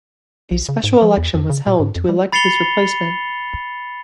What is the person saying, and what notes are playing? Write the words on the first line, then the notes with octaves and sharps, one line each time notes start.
A special election was held to elect his replacement.
B1
C#3
G#2
F3
E2
F2
C#3
A#2
G#2
F2
G3
B5 A6 C7 C#7 F7 G7